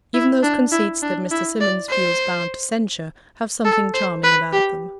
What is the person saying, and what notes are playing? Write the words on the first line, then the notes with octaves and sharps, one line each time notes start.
Even those conceits that Mr. Symonds feels bound to censure have something charming about them.
E4
D4
E4
D4
E4
D5
C5
A4
C5
B4
G4